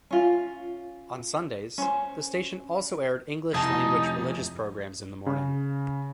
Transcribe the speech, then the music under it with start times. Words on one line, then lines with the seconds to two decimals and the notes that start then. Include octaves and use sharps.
On Sundays, the station also aired English-language religious programs in the morning.
0.11 C#4 F4
1.78 C#4 C5
3.54 F2 A2 C3 G3 D#4 G#5 A5
5.26 C#3